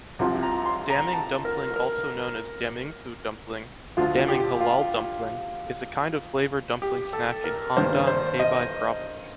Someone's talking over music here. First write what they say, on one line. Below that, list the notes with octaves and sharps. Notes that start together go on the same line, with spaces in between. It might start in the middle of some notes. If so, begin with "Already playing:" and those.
Daming dumpling also known as Damingfu dumpling, Daming Halal dumpling, is a kind of flavor dumpling snack in Handan, Hebei Province.
C2 C3 F3
A#5
C6
A#5
A5
A#4
A#4
D2 D3 F3 A3 D4 F4
G4
F4
G4
A4
A#4
G2 D#3 A#3 D4 C5
C5
D#5